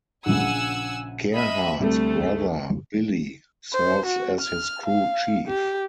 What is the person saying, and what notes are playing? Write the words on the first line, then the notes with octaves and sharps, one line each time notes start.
Gerhart's brother Billy serves as his crew chief.
A#1 C#3 F#5 G#5 E6
D#5 E5 B5
D2 C3 G3 A3 A4
C5
F#4
F6
F5
G4